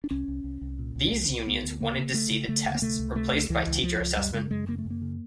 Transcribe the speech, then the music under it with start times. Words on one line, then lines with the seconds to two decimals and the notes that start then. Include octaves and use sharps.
These unions wanted to see the tests replaced by teacher assessment.
0.04 D4
0.11 C2 C#4
0.28 C2
0.44 C2
0.61 C2
0.79 A#2
0.96 C2
1.12 C2
1.29 C2
1.47 D2 B3
1.63 D2
1.80 C#3 A#3
1.97 C#3
2.14 C#3 A3
2.31 C#3
2.48 C#3 A3
2.65 D2
2.75 A#3
2.81 C3 A3
2.99 C#2
3.15 C3 A3
3.33 C#2
3.50 C#2 E3
3.67 C#2
3.83 C#2 F3
4.00 C#2
4.17 F#2 G3
4.34 C#3 G#3
4.51 F#2 G#3
4.68 C#3 A#3
4.79 A3
4.85 F#2
4.90 A#3
5.02 C#3